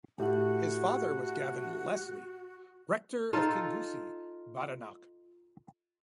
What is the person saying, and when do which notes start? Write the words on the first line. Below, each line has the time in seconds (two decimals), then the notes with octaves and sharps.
His father was Gavin Lesley, rector of Kingussie, Badenoch.
0.19 A2 F#4 G4 F#5
3.33 D#4 F4 A4